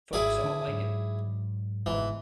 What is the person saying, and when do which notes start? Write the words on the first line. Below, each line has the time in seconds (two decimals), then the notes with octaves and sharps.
Folks all like it.
0.13 G#1 E4 G#4 D5
0.44 D3 D4
0.68 G#2 F#3
1.86 G1 G#2 B2 E3